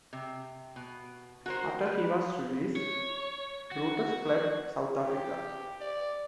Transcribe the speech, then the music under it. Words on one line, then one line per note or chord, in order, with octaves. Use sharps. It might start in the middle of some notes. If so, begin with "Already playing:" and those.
After he was released, Brutus fled South Africa.
C3
B2
F#4 A#4 C5
B4
C#5
F#4
G4
D5